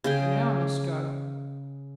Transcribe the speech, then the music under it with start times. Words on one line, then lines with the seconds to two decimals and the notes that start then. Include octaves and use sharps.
And now I must go.
0.04 C#3 G#4 G5